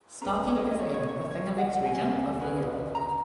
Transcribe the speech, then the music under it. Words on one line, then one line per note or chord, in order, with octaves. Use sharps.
Starkey is in the Finger Lakes Region of New York.
C#4 G#4 B4 A#5
C#5
D#5
C#5
D#5
C#5
D#5
C#5
D#5
C#5
C#5
F#5
G#5
C#4 G#4 B4
A#5